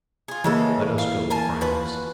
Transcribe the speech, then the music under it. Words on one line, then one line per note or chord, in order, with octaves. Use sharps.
"Let us go, friends."
F4 G#4
C#3 E3 G#3 A#3 A4
F5
A#4 G#5 A5
F4 F#4 B4